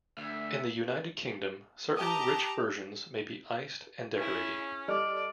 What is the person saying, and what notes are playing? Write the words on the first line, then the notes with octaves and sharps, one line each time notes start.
In the United Kingdom, certain rich versions may be iced and decorated.
D2 E5
G4 A5 A#5 D#6
C#4 E4 G#4
G3 A4 D5 D#5 D6 F6